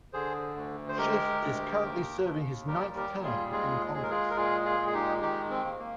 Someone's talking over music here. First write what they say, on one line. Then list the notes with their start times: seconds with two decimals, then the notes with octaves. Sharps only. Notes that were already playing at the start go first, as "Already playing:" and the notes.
Schiff is currently serving his ninth term in Congress.
0.13 D3 G#4 C5
0.56 D2
0.89 C5
0.98 G#3 G4 A#4
1.41 D2
1.83 D#2
2.25 D#2
2.67 G3 G4 A#4
2.96 G4 A#4
3.10 D#2
3.24 F4 G#4
3.52 G#3 F4 G#4
3.95 G#3 G#4
4.03 A#4
4.11 F4 G#4
4.30 A#4
4.37 A#2 F4 G#4
4.66 F4 G#4
4.80 G#3
4.87 G#4
4.94 D#4 G4
5.22 D#3 D#4 G4
5.50 C4
5.65 A#3
5.79 A#3